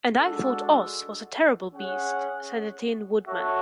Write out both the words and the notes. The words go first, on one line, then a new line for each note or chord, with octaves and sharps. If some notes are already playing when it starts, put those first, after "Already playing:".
"And I thought Oz was a terrible Beast," said the Tin Woodman.
G#3 D4 F#4 A4
C#4 G#4 C#5 F#5
F#4 A4 C#5 E5